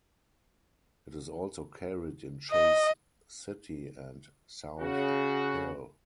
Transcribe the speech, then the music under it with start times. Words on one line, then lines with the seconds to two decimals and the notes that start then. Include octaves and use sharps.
It is also carried in Chase City and South Hill.
2.52 D#5
4.80 C#3 F#4